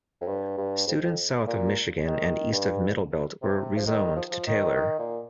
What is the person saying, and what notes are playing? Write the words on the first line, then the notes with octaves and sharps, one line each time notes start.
Students south of Michigan and east of Middlebelt were rezoned to Taylor.
F2
G2
G2
F2
F2
A#2
D#3
G2
C3
F3
D#3
F3
F3
D#3
D#3
A#2